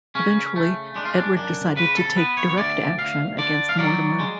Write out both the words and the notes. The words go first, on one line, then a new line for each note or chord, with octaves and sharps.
Eventually, Edward decided to take direct action against Mortimer.
C#3 C#4
A3
G#3 D4
F4
D4
F#2 D4
C#3 B4
A4
B3 B4
C#5
C#5
D2 D5
D2 F5
D3 D5
F5
F#3 D5
G#3